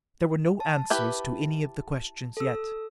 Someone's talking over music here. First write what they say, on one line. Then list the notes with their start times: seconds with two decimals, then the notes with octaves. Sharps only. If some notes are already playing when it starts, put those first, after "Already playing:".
There were no answers to any of the questions yet.
0.60 A5
0.90 E4 G4 B4
2.37 A4 E6